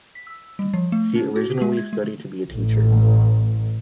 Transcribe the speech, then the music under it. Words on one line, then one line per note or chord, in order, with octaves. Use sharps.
She originally studied to be a teacher.
B6
E6
G3
F3
A3
C#4
F#4
G4
G#3
G#6
G#3
A1